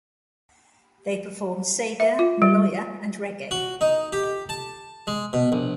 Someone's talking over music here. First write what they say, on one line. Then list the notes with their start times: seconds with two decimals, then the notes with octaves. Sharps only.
They perform sega, maloya and reggae.
2.00 E5
2.19 F4
2.42 G3
3.51 F#4
3.81 D#4
4.12 G4
4.49 A5
5.07 G#3
5.33 B2
5.52 A#1